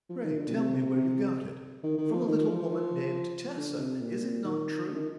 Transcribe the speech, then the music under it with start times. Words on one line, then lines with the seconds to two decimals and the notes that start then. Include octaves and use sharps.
"Pray tell me where you got it;--from a little woman named Tessa, is it not true?"
0.09 F3
0.24 D#3
0.38 D3
0.48 A#2
0.53 C3
0.96 C3
1.83 D#3
1.98 D#3
2.13 F3
2.27 D#3
2.49 F3
3.57 D3
3.79 C3
4.01 A#2
4.44 D#3
4.88 D3
4.96 D#3